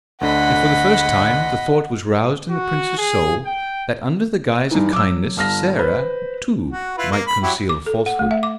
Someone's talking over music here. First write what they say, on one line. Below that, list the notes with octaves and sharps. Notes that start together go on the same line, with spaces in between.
And for the first time the thought was roused in the prince's soul, that under the guise of kindness Sarah, too, might conceal falsehood.
D2 D3 D#5 F#5 B5
F#4
G#4
G5
G2 E3 D#4
F#3 D6 E6
G1 A5 F6 A#6
B4 C5
F#4
E4 F4 B4
A#3
B5
F#3 E4 G4
D6
A4
F#5
A3
E5
D6